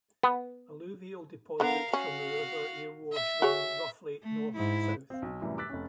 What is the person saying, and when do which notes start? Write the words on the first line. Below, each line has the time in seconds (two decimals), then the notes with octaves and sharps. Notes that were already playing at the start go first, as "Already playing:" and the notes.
Alluvial deposits from the River Erewash run roughly north-south.
0.23 B3
1.60 D3 B3 A#4 F5
1.93 C#4 F#4 F5
3.13 E5
3.42 F#4 G#4 C#5
4.23 A3
4.56 G#2 E4
5.10 C4 F5
5.22 B1
5.41 F#2 A2 C3 E3 G3
5.58 D6 E6 F#6 A6 B6
5.70 F1 C#4